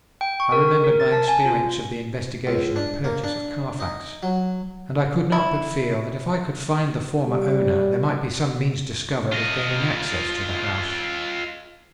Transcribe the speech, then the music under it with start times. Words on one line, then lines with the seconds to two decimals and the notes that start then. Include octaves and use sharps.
I remembered my experience of the investigation and purchase of Carfax, and I could not but feel that if I could find the former owner there might be some means discovered of gaining access to the house.
0.21 G5
0.40 C#6
0.52 A#4
0.69 A#4
0.84 A#4
1.00 A6
1.12 A5
1.28 G#5
1.45 F4
2.47 C#2
2.76 D4
3.04 A#3
3.24 D4
3.80 D#4
4.23 F#3
5.32 E4
7.27 G3
9.32 F4 D#5